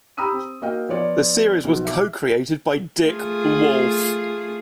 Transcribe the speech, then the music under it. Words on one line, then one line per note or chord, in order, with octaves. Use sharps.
The series was co-created by Dick Wolf.
G4 A#5 B5 D#6 E6 D#7
C4
A#3 F#4 D#5 F5 G5
F3 B3 C#5 D5
B1 B2 F3
E5 D6
A3 F4 G#4